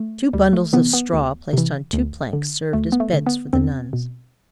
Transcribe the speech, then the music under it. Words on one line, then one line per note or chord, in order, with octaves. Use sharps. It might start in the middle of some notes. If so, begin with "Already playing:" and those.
Two bundles of straw placed on two planks served as beds for the nuns.
Already playing: A3
D2 G3
A3
C3 E3 B3
B3
D2
C3 E3
D2
D3
D2 A3
B3
A3
D3
B3
E2 C4
B2